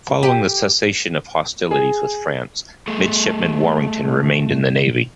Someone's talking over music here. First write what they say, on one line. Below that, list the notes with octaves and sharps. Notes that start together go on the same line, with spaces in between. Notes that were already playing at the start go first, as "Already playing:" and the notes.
Following the cessation of hostilities with France, Midshipman Warrington remained in the Navy.
G4
G#4
A3 G#4 A4